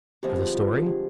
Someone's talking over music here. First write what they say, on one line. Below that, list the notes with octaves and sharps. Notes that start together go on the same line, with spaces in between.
For the story?
G2 D3 F3 G#3 C4 G4
F4
F4
G4
G4